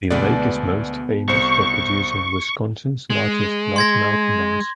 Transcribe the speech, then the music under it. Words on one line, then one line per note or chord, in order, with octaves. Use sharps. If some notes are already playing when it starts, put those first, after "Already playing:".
The lake is most famous for producing Wisconsin's largest largemouth bass.
D2 B2 G#3 B3 D5
C2 C5 C#6
G#3
C6 G#6 A#6